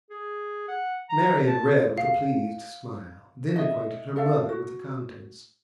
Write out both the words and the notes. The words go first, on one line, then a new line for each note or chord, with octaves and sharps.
Marian read with a pleased smile, then acquainted her mother with the contents.
G#4
F#5
A#5
A5
F5
D#5 E5
A4 D5 E5 F5
F#4